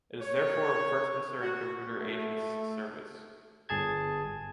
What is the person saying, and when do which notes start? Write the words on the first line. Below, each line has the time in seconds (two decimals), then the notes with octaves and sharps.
It is therefore of first concern to Reuter Agence Service.
0.21 C#5
1.41 F#4
1.99 A3
3.69 G1 G#4 A5 G#6